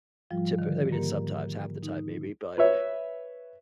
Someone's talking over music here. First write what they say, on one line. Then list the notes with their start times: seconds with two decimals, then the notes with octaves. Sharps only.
typi I mean, it's sometimes, half the time maybe, but,
0.31 G#2 F3 G3 F4
0.59 D3 D#3
0.91 G#2 A#3 G4 A#4
1.83 D#4
2.58 B4 C#5 E5